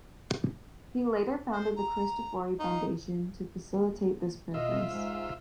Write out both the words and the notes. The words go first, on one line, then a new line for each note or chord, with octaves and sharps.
He later founded the Cristofori Foundation to facilitate this purpose.
C5
A#5
D#4 F5
A#3
B2 F4 D#5 E5
G#2 G#3 D4